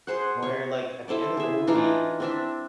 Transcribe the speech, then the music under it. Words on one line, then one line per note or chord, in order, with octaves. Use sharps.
Where, like, at the end of the movie
G#4 C5 F#5
C#5
E4 A4 C5 D5
G#4 E5
E3 D4 D#4 F4
C4 D4 E5